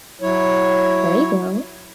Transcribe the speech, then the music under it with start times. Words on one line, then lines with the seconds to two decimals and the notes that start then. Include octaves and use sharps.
There you go.
0.22 F#3 E4 C#5